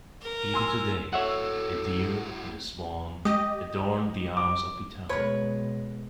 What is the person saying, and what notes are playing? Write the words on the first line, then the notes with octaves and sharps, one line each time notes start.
Even today, a deer and swan adorn the arms of the town.
A#4
G#5 C6 E6
A2 F#4 A4 C#5 E5 F#5
G#3 G4 D#5 D#6
D6
B2 G#3 A#4 B4 C#5